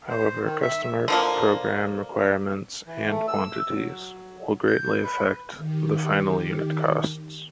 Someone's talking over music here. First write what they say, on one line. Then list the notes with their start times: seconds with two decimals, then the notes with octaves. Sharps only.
However customer program requirements and quantities will greatly affect the final unit costs.
0.09 C5
0.45 D#3
0.62 E5
1.08 D3 F3 A#3
2.87 E3
3.10 A3
3.28 E6
3.74 F#3
4.67 G6
5.03 B4
5.57 D#3 G4